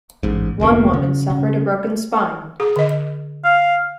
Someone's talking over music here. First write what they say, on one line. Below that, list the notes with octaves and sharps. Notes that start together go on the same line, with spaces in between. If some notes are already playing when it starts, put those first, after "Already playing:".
One woman suffered a broken spine.
A1 G#2
F1 D2 A#3 B3
C#3
C#3
G#4
D3 D#5
F5